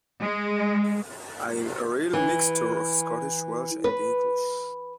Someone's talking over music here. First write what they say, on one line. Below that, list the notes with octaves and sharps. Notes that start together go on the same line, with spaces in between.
I'm a real mixture of Scottish, Welsh, and English.
G#3
E3
B4